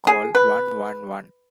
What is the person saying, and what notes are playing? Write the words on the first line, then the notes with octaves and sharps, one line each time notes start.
Call one one one.
G#4
B4